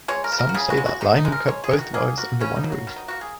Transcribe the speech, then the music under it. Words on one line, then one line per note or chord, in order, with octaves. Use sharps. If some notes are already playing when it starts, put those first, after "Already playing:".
Some say that Lyman kept both wives under one roof.
G#3 C#5
A#4
C#3
A#4
F#4
C#3 G#4
F#4
G#3
F#4
D#3 D#4
D#4
G#3
A#4
G#3 C#5
G#4
D#3
F#4
A#3 G#4
A#3 F#4
C#3 C#4
D#4
F#3
F#4
D#3
D#4
A#3 F#4
G#4